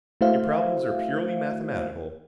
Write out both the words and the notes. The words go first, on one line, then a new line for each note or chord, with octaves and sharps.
Your problems are purely mathematical.
A3 E4 F#4 C5 E5 F5